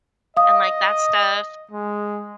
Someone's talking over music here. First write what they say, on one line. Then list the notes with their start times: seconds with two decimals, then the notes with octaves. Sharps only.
and, like, that stuff,
0.37 D#5 F5 D#6
1.71 G#3